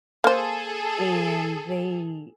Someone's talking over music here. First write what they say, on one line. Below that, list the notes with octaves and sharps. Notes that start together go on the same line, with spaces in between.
and they
A#3 G#4 A4 C5